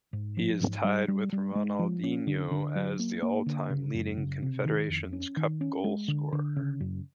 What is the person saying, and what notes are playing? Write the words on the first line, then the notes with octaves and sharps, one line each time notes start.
He is tied with Ronaldinho as the all-time leading Confederations Cup goalscorer.
G#2
F3
G#2
G3
G3
G3
G#3
F3
C#4
D3
D3
F#3
A#3
A#3
D3
C#3
F#2
C#3
C3
D#3
F2
C#4
D#3
C#4
G#3
D3
D3
C#3
F#2